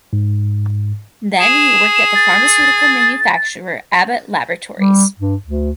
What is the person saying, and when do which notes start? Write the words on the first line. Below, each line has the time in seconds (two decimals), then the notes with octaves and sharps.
Then he worked at the pharmaceutical manufacturer Abbott Laboratories.
0.13 G#2
1.40 G#4 E7
2.15 A6
4.79 G3
5.19 G2
5.45 D2